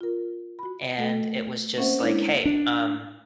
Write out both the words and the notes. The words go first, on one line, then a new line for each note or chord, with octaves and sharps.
and it was just like, "Hey, um"
F4 A#4
F#4 B5
A3 A4 G5
A#3 C4 C#4 C5 E5 F#5
G#3 A#3 D4 E4 A#4 C#5
D4